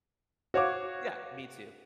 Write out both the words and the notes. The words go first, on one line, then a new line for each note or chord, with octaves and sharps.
Yeah, me too.
F#4 C#5 F5 D6